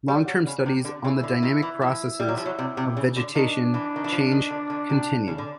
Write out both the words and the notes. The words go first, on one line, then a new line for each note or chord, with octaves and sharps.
Long term studies on the dynamic processes of vegetation change continue.
G3
F#3
C#3
C3
D3
C#3 E4
D3
D#3
E3
F3
G3
F#3
F3
F#3
C3
C3
C#3
D3
D#3 D4
E3
D#3
E3
F3
D#3
D3
D3
C3
C#3
D3